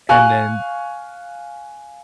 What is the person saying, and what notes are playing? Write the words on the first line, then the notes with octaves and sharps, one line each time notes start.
and then
F5 G#5 C#6 F#6